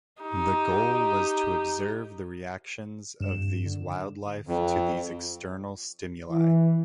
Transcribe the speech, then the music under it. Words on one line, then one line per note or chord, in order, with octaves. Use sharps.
The goal was to observe the reactions of these wildlife to these external stimuli.
D#4 G4
G2 E7
D3
F2
E3